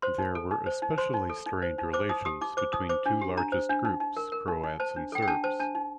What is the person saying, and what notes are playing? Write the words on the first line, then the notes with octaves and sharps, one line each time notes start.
There were especially strained relations between two largest groups, Croats and Serbs.
C5 C6
D#4
A4
D#4
C5
D#4
C5 C6
D#4
A4
D#4
C5
D#4
C5 D6
D#4 D#6
G4 D#6
D#4 D6
C5 D6
D#4 D#6
C5 D6
D4
G4
D4 A#5
C5
D4
D#4
D#4
A#4
A#4
D#4
D#4
C5 A5
D4
A4 G5
G5
D4 A5
C5 A5
D4 A5
D#4